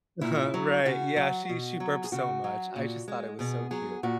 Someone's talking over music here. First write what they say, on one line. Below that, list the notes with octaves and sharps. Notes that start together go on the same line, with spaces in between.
huh, right. Yeah, she she burped so much, I just thought it was so cute,
A#2 E4
F#3
C#3 F#4
F#3
B2
F#3
G#4
C#3 F#4
F#3
A#2
G#3
B2 G#4
F#3 G#4
A#2 F#4